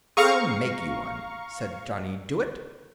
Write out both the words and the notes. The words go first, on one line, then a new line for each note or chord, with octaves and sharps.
"I'll make you one," said Johnny Dooit.
G#4 A4 F5 A#5 C#6